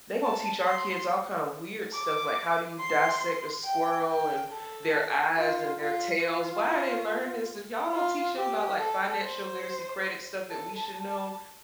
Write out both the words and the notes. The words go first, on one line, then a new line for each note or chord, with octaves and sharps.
They're gonna teach our kids all kinda weird stuff, like how do you dissect a squirrel and their eyes and their tails- why are they learning this? If y'all don't teach them about, like, financial literacy, credit stuff that we should known?
A5
C6
D6
C6
G5
G5
A4
F4
F4
F4
F4
G4
A4
C5
A4
A5
A5